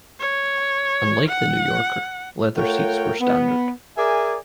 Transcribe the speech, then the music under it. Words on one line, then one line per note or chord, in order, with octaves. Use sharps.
Unlike the New Yorker, leather seats were standard.
C#5
F#5
A3 F4 A#4 C#5 F#5 G5
B3
G#4 A#4 D5 E5 G#5